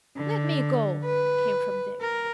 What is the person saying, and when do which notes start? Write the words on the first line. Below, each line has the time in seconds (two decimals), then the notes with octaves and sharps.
"Let me go!" came from Dick.
0.16 D3
1.04 B4
2.01 A#4